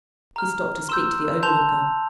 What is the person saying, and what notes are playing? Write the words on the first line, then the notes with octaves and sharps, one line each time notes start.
He stopped to speak to the overlooker.
A#5 F6
C6 E6 G6 E7
A5 C6 G6 F7